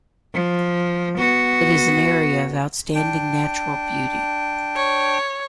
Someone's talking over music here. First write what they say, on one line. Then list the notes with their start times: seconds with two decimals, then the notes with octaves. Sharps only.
It is an area of outstanding natural beauty.
0.34 F3
1.18 B3 F#4
2.95 D4 G5
4.76 C#5